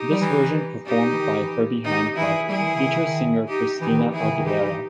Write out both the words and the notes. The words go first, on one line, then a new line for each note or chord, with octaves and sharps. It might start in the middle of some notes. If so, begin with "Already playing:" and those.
This version performed by Herbie Hancock features singer Christina Aguilera.
Already playing: D#4 G4
G3
E3
D#4 G4
E3
D#3
D#3
E3
D#3 D#4 G4
E3 E4 G#4
G3 E4 G#4
D#3
E3
C#3
D#3
C#3
D#3
D#4 G4
E3 D#4 G4
D#3
E3
E3 E4 G#4
D#3
C#3
D#3
E3 D#4 G4
E3